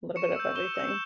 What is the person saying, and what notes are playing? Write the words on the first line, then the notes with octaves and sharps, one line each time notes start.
a little bit of everything.
C#6 C#7 E7
E6 G6
C#6 E7 G7
E6 G6
E7